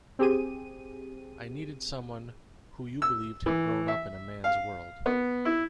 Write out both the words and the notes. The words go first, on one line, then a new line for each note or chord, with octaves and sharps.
I needed someone who you believed had grown up in a man's world.
C4 G4 G#4 D#7
E6
E3
E5
F5
B3
E4